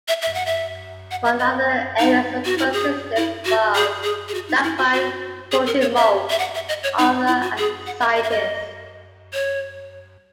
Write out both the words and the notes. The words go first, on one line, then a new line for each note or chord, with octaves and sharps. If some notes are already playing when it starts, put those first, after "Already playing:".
One of the area's notable residents was Daphne Pochin Mould, author and scientist.
E5
E5
F#5
E5
F#5
E5
D#5
D#4
F#4
E4
G#4
E4
F#4
G#4
G#4
G#4
F#4
D#4
E4
F#4
F#4
G#4
A#4
C#5
E5
E5
F#5
E5
D#5
C#5
D#4
E4
F#4
G#4
F#5
E5
D#5
E5
D#5
C#5